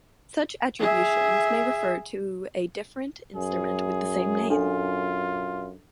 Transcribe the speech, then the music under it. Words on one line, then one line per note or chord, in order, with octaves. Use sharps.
Such attributions may refer to a different instrument with the same name.
G#4 E5
F#2 G#4
D4 F4 A4 G#5